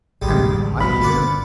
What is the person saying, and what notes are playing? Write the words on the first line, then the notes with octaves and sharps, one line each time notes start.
"Am not I here?"
A1 D2 G3 G#3
G1 B2 B5
G1 D3 C#4 F4 D5 F#5